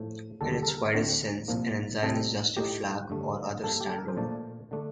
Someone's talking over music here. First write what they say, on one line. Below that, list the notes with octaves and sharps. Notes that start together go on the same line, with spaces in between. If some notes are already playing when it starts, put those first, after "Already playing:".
In its widest sense, an ensign is just a flag or other standard.
Already playing: A2 F3 A3
D#2 D3 G3 A4
A4
A#4
D2 D3 A3 C4
C2 A#2 F3 A#3
C3 G3 C4 D#4 A4
A2 A3 D#4 G4
G2 D3 A3
G2 F3 A#3 D#4 A4
G4
A4
A#4
C5
A#2 F3 A3 D4 D5
D3 A3 D4